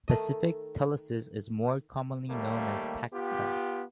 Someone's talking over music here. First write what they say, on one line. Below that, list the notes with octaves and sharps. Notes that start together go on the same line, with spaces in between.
Pacific Telesis is more commonly known as PacTel.
D#3 A3 D#5
D#2 G3 A3 A#3
B3 F4 G4